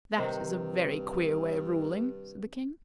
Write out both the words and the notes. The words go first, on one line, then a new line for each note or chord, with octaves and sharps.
"That is a very queer way of ruling," said the King.
G2 C3 D#3 C5